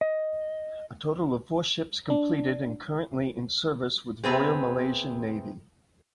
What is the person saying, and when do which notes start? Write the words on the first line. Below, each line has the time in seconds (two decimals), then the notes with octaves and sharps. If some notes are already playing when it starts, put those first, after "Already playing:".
A total of four ships completed and currently in service with Royal Malaysian Navy.
0.01 D#5
2.10 D4
4.24 C3 B3 C4 G#4